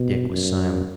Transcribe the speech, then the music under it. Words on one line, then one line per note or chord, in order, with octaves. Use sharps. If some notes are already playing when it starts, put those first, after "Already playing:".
Dick was silent.
Already playing: B2
F#2